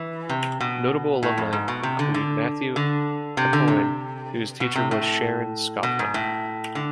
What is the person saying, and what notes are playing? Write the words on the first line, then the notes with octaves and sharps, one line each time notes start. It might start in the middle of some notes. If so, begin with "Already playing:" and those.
Notable alumni include Matthew Aucoin, whose teacher was Sharon Schoffman.
Already playing: E3
C3
B2
A2
F2
G#2
B2
C3
D3
D3
D3
C3
D3
C3
B2
C3
A2
B2
G#2
A2
D3